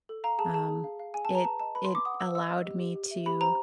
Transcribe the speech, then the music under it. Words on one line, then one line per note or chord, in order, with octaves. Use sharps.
Um, it it allowed me to
A4
F5 A#5
G#4 A5
G#4 A5
G#4
F5
F5
G#4 G#5
A5
B4
A#5
B4 A5
D#5 A5
B4 B5
C6
B4
D6
F#5 D#6
B4 E6
D#5 E6
D#5
G4
G4
G4
E5
G4 B5
C5 A#5